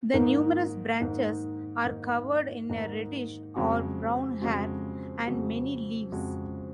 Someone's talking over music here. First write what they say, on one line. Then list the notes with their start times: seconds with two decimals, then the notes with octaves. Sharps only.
The numerous branches are covered in a reddish or brown hair and many leaves.
0.13 G#2 D#3 A#3 D#4
0.99 G#2 D#3 A#3 D#4
1.85 G#2 D#3 A#3 D#4
2.70 G#2 D#3 A#3 D#4
3.56 F2 C#3 G#3 C4 F#4
4.41 F2 C#3 G#3 C4 F#4
5.27 F2 C#3 G#3 C4 F#4
6.12 F2 C#3 G#3 C4 F#4